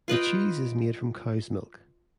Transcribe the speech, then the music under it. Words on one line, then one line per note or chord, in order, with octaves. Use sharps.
The cheese is made from cow's milk.
F4 B4 D#5 G5